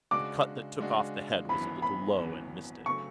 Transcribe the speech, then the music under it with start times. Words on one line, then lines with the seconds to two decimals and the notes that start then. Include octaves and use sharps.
The cut that took off the head was a little low, and missed it.
0.11 C#3 G#3 D4 F#4 D6
0.80 C#3 G#3 D4 F#4
1.49 G#1 F#2 E3 B3 B5
1.82 B5
2.17 G#1 F#2 E3 B3
2.86 C#3 F#3 A3 C#6